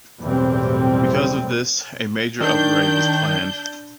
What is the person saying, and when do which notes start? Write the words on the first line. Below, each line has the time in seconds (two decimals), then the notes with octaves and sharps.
Because of this, a major upgrade was planned.
0.21 B1 E2 A2 G3 C4
2.40 D#3 D4 G6